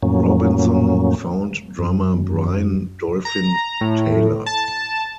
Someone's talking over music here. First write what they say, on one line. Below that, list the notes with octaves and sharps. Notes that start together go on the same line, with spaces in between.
Robinson found drummer Brian "Dolphin" Taylor.
F2 A2 F#3 A#3 C#4
F#2
A#5
A2
A5